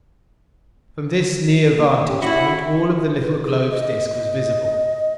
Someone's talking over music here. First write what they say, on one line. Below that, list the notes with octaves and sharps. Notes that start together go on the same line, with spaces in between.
From this near vantage point, all of the little globe's disc was visible.
A#3
C#4 G4
E4 F#4 E5 B5
B4
G#4
D#5
D#5